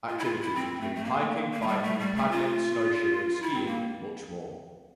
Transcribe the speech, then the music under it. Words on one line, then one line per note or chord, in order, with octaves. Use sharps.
Activities include hiking, biking, paddling, snowshoeing, skiing and much more.
F4
E4
F4
E4
C4
A3
A3
A#3
A#3
A3
G3
A3
G3
A3
F4
E4
C4
A#3